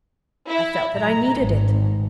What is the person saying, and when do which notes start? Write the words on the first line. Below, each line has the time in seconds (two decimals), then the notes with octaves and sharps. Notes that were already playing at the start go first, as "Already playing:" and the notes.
I felt that I needed it.'
0.49 E4
0.95 A#5
1.43 G#1